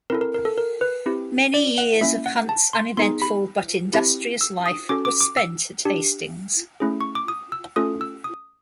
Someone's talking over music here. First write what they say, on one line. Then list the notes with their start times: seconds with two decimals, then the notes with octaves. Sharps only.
Many years of Hunt's uneventful but industrious life were spent at Hastings.
0.10 C4 E4 A4 A#4
0.21 A#4
0.34 A#4
0.45 A4
0.58 A#4
0.81 B4
1.06 C4 E4 G4
1.54 D5
1.78 F#5
2.01 A#3 C#4 E4 E5
2.26 F#5
2.49 A5
2.73 C6
2.97 B3 D#4 G#4 C6
3.22 B5
3.93 C4 E4 G4
4.41 E6
4.66 D#6
4.89 C#4 F#4 A4 D6
5.05 D6
5.21 D6
5.37 E6
5.85 D4 G4
6.80 A3 C#4 E4 G#4
7.01 C#6
7.15 D6
7.28 D#6
7.52 E6
7.76 A3 C#4 F4 A4 D#6
8.01 E6
8.24 D#6